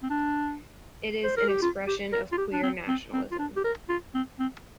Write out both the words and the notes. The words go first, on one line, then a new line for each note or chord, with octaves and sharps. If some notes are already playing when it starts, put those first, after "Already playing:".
It is an expression of queer nationalism.
C4
D4
C5
A#4
G4
F4
G4
A#4
F4
G4
D4
C4
C4
C4
F4
D4
G4
A#4
F4
C4
C4